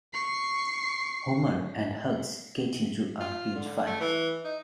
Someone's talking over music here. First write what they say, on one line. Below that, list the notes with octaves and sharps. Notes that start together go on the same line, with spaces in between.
Homer and Hugs get into a huge fight.
C#6 C7
F4
D3
A3
E3
D#4